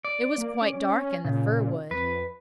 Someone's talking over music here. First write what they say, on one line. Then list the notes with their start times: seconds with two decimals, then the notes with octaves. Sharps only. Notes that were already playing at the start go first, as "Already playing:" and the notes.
It was quite dark in the fir wood.
0.05 D5
0.38 A#3
0.61 C#4
1.25 A#2 C#3
1.91 F2 B4